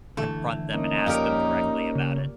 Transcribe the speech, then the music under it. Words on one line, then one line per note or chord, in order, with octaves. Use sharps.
confront them and ask them directly about it.
D3 E3 A3
A#3 C#4 D#4
F2 A#2 G4 A#4 C#5
C#3